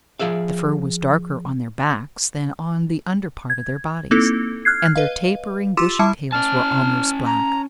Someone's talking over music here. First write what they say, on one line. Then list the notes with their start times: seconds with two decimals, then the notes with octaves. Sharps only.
The fur was darker on their backs than on the under part of their bodies, and their tapering, bushy tails were almost black.
0.19 F3 G#4 E5 F5
3.50 G#6
4.11 A#3 C4 D#4 E4 A4
4.65 F6 F#6 G#6 C7
4.96 B4 D#5 F5
5.77 F4 G4 C6 D6 E6 E7
5.99 G3 E4 E5 A5 D6
6.32 C#4 A5 F6
7.26 A#5